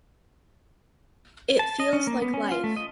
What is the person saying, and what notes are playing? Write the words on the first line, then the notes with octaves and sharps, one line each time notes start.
It feels like life.
A5
D#5
C#4
A#3
B3
C#4
F4
A3
D#5